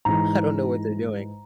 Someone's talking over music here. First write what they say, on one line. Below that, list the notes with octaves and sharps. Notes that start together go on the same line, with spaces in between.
I don't know what they're doing,
G#2 E3 G#3 A#5